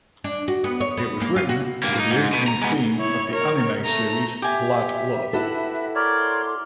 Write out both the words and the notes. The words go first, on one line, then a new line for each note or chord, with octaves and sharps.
It was written to be the opening theme of the anime series "Vlad Love".
D4
F#4
B3
C#5
B3
A#3
F4
F#4
G2 A#3
D#4
G#2
B2
A#5
G#3 B3
E4 C#5
A#4 C#5
A3 A#5
G4 E5 G#5
E4 F#4 A4 B4
A#4 C#5 D5 C6 D6